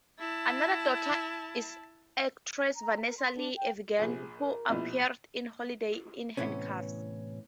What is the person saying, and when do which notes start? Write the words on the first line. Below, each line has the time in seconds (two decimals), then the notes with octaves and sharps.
Another daughter is actress Vanessa Lee Evigan, who appeared in "Holiday in Handcuffs".
0.20 E4 A5
2.76 A#5
3.00 A#4
3.16 C6
3.36 D4
3.56 G5
3.99 A#1 C3 G#4
4.38 A#4
4.70 A#1 B2 E4
6.37 A2 C3 E3 B3 C#4